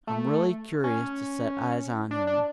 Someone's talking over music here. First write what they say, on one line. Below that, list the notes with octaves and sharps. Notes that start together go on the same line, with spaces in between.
I'm really curious to set eyes on him.
A3
C#4
D4
D4